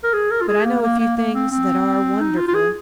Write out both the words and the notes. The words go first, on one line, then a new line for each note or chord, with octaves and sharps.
But I know a few things that are wonderful.
A#4
G#4
A#4
F4
G#4
A#3
A#3
A#3
A#3
C4
C4
D#4
F4
F4
G#4